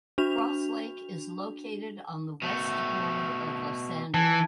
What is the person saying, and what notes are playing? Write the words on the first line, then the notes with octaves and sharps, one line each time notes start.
Cross Lake is located on the west border of Lysander.
D4 F#4 F7
B2 A3
E3 A5 G#6